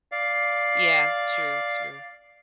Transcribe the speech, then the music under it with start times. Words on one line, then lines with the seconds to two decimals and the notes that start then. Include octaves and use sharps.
Yeah. True, true.
0.12 D5 F5